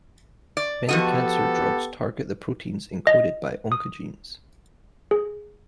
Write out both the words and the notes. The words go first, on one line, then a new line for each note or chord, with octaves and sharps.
Many cancer drugs target the proteins encoded by oncogenes.
D5
F3 B3 F#4 G4 A4 D#5
D#5
D#6
G#4